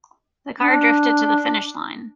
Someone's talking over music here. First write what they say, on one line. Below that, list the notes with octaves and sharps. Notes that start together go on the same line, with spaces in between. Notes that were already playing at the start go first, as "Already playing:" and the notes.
The car drifted to the finish line.
D4